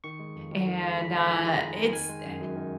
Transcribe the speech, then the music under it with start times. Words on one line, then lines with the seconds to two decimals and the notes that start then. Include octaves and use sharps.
and, uh, it's eh,
0.04 D#3 C#6
0.19 G#3
0.36 F2
0.51 F2
0.67 D#3
0.82 G#3
0.98 F2 B5
1.14 F2
1.22 B5
1.30 D#3 A#5
1.44 G#3 G#5
1.54 A#5
1.61 F2
1.78 F2
1.93 D#3 G#5
2.09 G#3
2.24 F#2
2.40 F#2
2.56 D#3